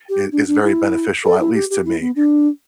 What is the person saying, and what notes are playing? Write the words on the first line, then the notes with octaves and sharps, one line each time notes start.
is is very beneficial, at least to me.
G4
D4
D4
E4
A4
E4
G4
G4
E4
B3
D4